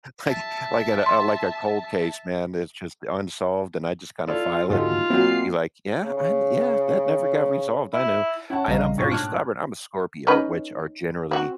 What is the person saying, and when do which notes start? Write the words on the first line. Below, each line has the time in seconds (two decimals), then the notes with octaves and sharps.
it's like like at a like a cold case, man it's just unsolved, and I just kinda file it and be like, "Yeah, I yeah, that never got resolved I knew," and I'm very stubborn, I'm a Scorpio, which are generally
0.24 E5 A5
1.06 C6
4.27 E4 F4 A4 D5
4.70 D2 G#2 D#4 F4 G4 A4
5.10 B1 B2 F#3 A#3 C4 E4 C7
6.03 C#3
6.17 C#3
7.93 E4
8.50 C#4 E4 C#5 F#5 A5
8.68 A#1 C#3 G3 D#5 F5 A#5
8.98 G#2 B2 A#3 D4 F4 C5 C#6
9.11 A2 A5 D6 F6 F#6 G#6
10.27 C#4 D#4 B4
11.31 C4 F#4